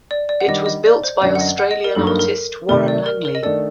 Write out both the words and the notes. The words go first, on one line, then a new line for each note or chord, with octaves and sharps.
It was built by Australian artist Warren Langley.
D5
D5
F#5
D#3 G3 D4 G4 D#5
D#5
D5
C5
F#2 D3 F#3 D5
F#5
D#5
F#5
D#5
A#4
G2 F#3 A#3 D#4 A4
A#4
A#4
C3 D#3 A3 A#4
D5
A#4
A#4
D#5
D#3 A3 D4 A4 D5